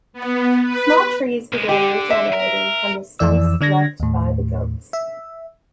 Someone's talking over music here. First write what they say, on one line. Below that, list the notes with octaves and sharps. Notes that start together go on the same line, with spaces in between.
Small trees began regenerating from the stumps left by the goats.
B3
B4
C2 G#3
D3 G4
E5
A#4
F2 E3 D5 E6
D3 D4 G#6 A#6
D#2 A2
E5